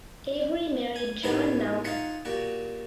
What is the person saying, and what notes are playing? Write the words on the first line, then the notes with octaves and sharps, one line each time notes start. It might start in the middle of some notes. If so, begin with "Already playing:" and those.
Avery married John Malcolm.
G#5
A2 D#3 B3 D#4 G4 G#4
D#4 F4 G#4 F#5
A#2 F#4 G4